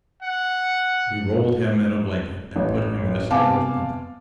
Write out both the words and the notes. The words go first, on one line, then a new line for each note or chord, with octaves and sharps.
We rolled him in a blanket and put him in a sailor's bunk.
F#5
A1
C3 B3 F5 G#5 A5 D6